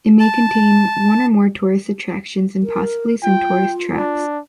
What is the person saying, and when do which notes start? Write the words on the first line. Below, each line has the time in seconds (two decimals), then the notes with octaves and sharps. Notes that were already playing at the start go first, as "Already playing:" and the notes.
It may contain one or more tourist attractions and possibly some tourist traps.
0.20 A5
2.63 A#4
3.23 F4 G5
3.96 D4